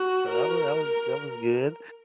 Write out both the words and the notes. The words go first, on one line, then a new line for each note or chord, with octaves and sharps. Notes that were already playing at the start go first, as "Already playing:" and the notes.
so that wa that was that was good,
Already playing: F#4
A#4